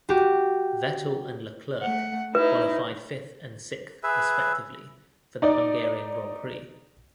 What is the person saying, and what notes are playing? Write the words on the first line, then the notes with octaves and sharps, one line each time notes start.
Vettel and Leclerc qualified fifth and sixth respectively for the Hungarian Grand Prix.
F#4 G4
A3 F#5
D#4 E4 B4
G#4 B4 E5
D#4 D5